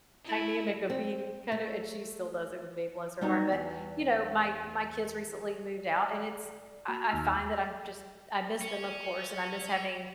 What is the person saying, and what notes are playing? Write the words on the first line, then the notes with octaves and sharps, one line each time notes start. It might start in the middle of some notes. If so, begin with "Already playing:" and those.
dynamic of being kinda and she still does it with me, bless her heart, but, you know, my my kids recently moved out and it's I I find that I'm just, I miss them, of course, and I miss having
E4
C4
A3
G3 B3 D#4 F#4 G4
E2
D5
A#3 F#4 G5 B5
D#2 D#4 E6 F6
C#4